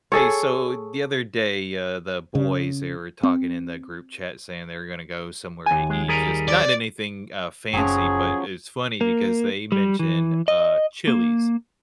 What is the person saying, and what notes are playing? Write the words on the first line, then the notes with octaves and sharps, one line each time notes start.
Hey, so the other day, uh, the boys, they were talking in the group chat saying they were gonna go somewhere to eat, just not anything, uh, fancy, but it's funny because they mention, uh, Chili's.
G#4 A4 C#5
C#3
C4
D#2 G#5
G#3
G3 G#4 A#4
D5
F#1 F3 F#3 C#4 G#4 G5
A#3
G3
E3
D#5
A#3